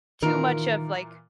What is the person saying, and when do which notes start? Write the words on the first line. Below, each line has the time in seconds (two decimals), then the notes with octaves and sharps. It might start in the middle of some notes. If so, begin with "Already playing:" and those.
too much of, like,
0.22 A#2 D#3 E3 F4 A#4